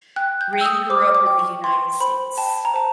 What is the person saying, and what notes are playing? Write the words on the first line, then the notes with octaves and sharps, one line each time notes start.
Ring grew up in the United States.
G5 F#6
G6
G5
E6
D#6
C5 D6
D6
G5
C#6
G5 C6
C5 B5
G5 A5
A#5
C5 A5